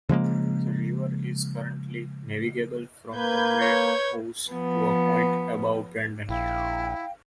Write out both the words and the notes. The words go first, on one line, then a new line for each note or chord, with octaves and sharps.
The river is currently navigable from the Great Ouse to a point above Brandon.
C#3 F3 G#3 A#3
A#3 B4 G6 G#6
C#5
F3 B3
A#1 E4 F5 G5